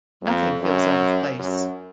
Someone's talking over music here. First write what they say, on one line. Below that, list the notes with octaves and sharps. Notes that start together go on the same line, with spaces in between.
Nothing feels out of place.
F2
F#2
F#2